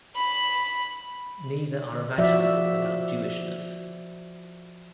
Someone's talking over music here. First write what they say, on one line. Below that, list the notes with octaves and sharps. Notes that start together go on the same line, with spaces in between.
Neither are imaginable without Jewishness.
B5
F3 F#4 D5 E5